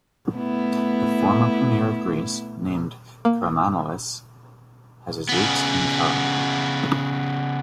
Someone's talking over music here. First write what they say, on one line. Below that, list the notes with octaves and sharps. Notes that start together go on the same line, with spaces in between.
The former premier of Greece, named Karamanlis, has his roots in Karaman.
A3 B3 E4
A#3
C#3 B3